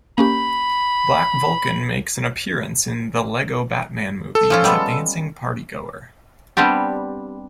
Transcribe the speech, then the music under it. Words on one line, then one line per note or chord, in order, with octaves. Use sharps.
Black Vulcan makes an appearance in "The Lego Batman Movie" as a dancing partygoer.
A#3 C#4 G4 B5
A4
F3 C#4 F4
G3 G#3 B3
G3 B3 C4 D4 G4